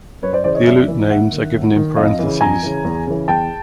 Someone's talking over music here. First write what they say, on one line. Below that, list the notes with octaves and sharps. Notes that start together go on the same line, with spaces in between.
The Aleut names are given in parentheses.
F#2 B4 C#5
C5 D5
C#3 E3 C5 D5
C#5 D#5
F#2 D5 E5
C#3 E3
D#2 E5 F#5
D#3
D#2
D#3
F2 D#5 F5
C#3 E3
F2 G#5 A#5
C#3 E3
E2
C#3 E3
E2 G5 A5